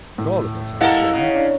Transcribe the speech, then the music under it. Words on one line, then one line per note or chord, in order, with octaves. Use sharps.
At all events, I can tell you.
A2
G3 E4 A4 A#4 D#5 F5 F#5
C#3
D4